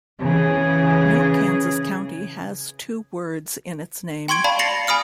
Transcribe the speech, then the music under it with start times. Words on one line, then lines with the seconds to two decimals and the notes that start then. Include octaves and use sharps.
No Kansas county has two words in its name.
0.20 C#3 E3 G#4
4.28 G5 C6 C#6 G#6 D7
4.44 D5 F5 A5 B5
4.59 A6 A#6 C7 C#7 F7 F#7
4.87 G#5 B5 D#6 F6 C#7